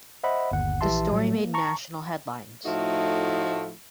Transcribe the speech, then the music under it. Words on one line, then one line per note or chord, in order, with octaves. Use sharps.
The story made national headlines.
C5 D#5 E5 F#5 B5
G1 D#2 F#5
A#1 E3 G4 E5 A5 C6
A2 F#3 G3
A#3
A5 A#5 C#6
A2 F3 A3 D#4 E4 F#4